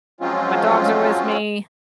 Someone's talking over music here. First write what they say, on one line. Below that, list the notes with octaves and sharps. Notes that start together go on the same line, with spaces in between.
my dogs are with me
F3 F#3 G#3 C4 C#4 F4